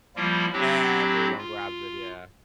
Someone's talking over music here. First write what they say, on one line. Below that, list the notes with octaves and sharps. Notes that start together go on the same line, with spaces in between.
Everyone grabs it, yeah.
F3 G3 A#3 E4 F4
F#3 C4 D4 E4 G4
F4